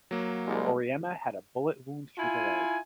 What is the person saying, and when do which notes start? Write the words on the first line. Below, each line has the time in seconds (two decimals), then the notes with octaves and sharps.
Oryema had a bullet wound through the leg.
0.11 F#3 A#3
0.47 C2 G#3
2.18 E4 F4 G#5